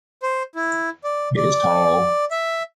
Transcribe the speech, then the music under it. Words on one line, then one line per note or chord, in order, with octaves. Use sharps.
It is tall.
C5
E4
D5
D5
E5